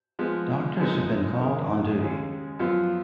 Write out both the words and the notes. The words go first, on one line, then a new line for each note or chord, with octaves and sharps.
Doctors have been called on duty.
F3 G#3 B3
F#2 F3 G#3 B3 D#4
F2 D#3 G#3
D#2 C#3 G#3 C#4
F#2 F3 B3 F4